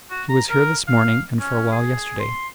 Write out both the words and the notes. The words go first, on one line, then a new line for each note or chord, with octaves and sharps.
"He was here this morning and for a while yesterday."
F#4
A#5
A#4
F5
C#4
G#4
C6